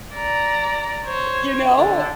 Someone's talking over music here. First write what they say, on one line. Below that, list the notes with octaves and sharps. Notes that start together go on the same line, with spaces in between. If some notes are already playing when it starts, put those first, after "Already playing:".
you know?
D5 A#5
C5 C#5
D3